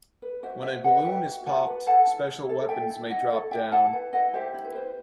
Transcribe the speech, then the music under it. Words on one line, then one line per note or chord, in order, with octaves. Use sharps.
When a balloon is popped, special weapons may drop down.
B4
F#4 C5 E5
F#4 C5 E5
B4 D#5 F#5
B4 E5 G5
F#4
F#4 F#5 A5
B4
A4 F#5 A5
E4
E4
A4
A4 E5 G5
E4
E4 D#5 F#5
A4
G4 E5 G5
E4 F#5 A5
B4
E4 D#5 F#5
G4 C5 E5
E4
B4
B4 C5